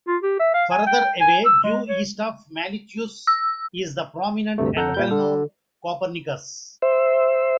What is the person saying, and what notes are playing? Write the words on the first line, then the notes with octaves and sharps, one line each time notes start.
Further away due east of Milichius is the prominent and well-known Copernicus.
F4
G4
E5
F5
G#5
G5
G#5
E6
G#3
C#5
E6
D2 G2 C3 A3
F2 A4 F#5 A#5 G6
A#2 G3 G6
D3 A4
C5 E5